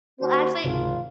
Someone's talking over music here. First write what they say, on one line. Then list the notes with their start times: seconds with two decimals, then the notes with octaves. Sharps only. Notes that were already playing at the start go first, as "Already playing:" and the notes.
Well, actually
0.19 D#2 F#4 C5
0.64 G#1 C#2 G#2 C3 F4